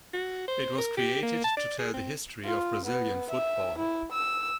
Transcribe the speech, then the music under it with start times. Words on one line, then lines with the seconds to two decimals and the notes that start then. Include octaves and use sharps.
It was created to tell the history of Brazilian football.
0.13 F#4
0.48 C5
0.78 A#4
0.97 G4
1.22 A#3
1.44 A5
1.57 D5
1.79 G#4
1.93 C4
2.45 F4
2.86 B3
3.30 E5
3.78 E4
4.12 E6